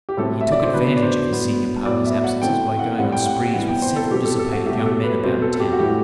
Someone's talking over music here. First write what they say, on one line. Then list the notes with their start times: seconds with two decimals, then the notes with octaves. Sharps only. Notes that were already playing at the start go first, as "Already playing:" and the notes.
He took advantage of his senior partner's absences by going on sprees with several dissipated young men about town.
0.09 G4
0.17 A2 F#3 A3 C4 A4
0.41 E5
0.52 D5
0.63 C5
0.73 D3 F#3 B3 B4
0.97 D5
1.02 C5
1.30 A2 F#3 B3
1.86 A2 F#3 B3 D5
2.05 E5
2.24 F#5
2.42 E3 A3 C4 G5
2.79 F#5
2.99 A2 G3 C4 F#5
3.12 G5
3.26 F#5
3.54 C3 E3 G3 B3 F#5
3.68 G5
3.82 C5
3.96 A4
4.10 B2 F#3 C4 G4
4.25 A4
4.39 A4
4.53 F#4
4.66 B2 F#3 A3 G4
4.86 A4
5.04 B4
5.23 B2 F#3 C4 C5
5.42 A4
5.53 A4
5.60 G4
5.73 F#4
5.79 A2 E3 A3 G4